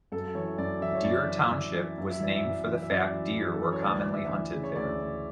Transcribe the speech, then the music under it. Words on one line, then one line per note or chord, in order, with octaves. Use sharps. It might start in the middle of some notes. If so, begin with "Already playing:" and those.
Deer Township was named for the fact deer were commonly hunted there.
F#2 A4
E3 C#5
F#2 D5
E3 E5
C#5
F#2 D5
E3
F#2
E3
F#2
E5
E3 D5
E5
F#2
E3
E5
F#2 D5
E3
F#2
A4
E3 B4
C#5
D2 D5
D2
E5
E3
C#3
C#5
D2 D5
D2